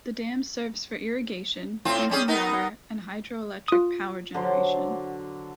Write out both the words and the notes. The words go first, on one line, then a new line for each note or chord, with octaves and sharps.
The dam serves for irrigation, drinking water and hydroelectric power generation.
A2 C4 F4
G3 C#4 G#4
B3 D#4 A#4
F4 D#6
D3 F#3 C5